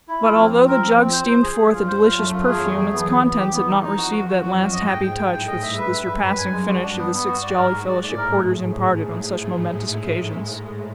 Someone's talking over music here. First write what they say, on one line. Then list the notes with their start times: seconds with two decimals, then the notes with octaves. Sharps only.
But although the jug steamed forth a delicious perfume, its contents had not received that last happy touch which the surpassing finish of the Six Jolly Fellowship Porters imparted on such momentous occasions.
0.08 E4
0.23 F2 F3 F4
0.38 C4
0.53 C4
0.68 A#4
0.83 C4
0.98 C4
1.13 C5
1.27 C5
1.43 G#4
1.57 G2 G3 G#4
1.73 F4
1.88 C5
2.03 F#2 F#3 F4
2.18 A3
2.33 F4
2.47 E2 E3 G#4
2.63 A3
2.78 G#4
2.92 B3
3.08 B3
3.23 B3
3.38 G4
3.53 B3
3.68 D#4
3.83 F2 F3 D#4
3.97 F#4
4.12 F#4
4.27 F#2 F#3 F#4
4.42 F#4
4.58 F#4
4.73 G#2 G#3 D#5
4.88 G5
5.03 G5
5.17 A2 A3 G5
5.33 G5
5.48 D#5
5.62 G2 G3 E5
5.78 B4
5.92 E5
6.07 F#2 F#3 B4
6.22 B4
6.38 G#5
6.52 G2 G3 G#3
6.68 F#4
6.82 D4
6.98 G2 G3 B3
7.13 B3
7.28 F#4
7.42 G#2 G#3 D5
7.57 A#4
7.73 F#4
7.87 A2 A3 D5
8.03 D5
8.17 A#4